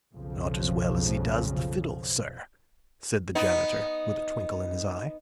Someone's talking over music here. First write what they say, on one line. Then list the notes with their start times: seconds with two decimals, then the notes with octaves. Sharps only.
"Not as well as he does the fiddle, sir," said the Janitor, with a twinkle in his eye.
0.13 B1 F2 C#3 F3
3.35 B3 D#4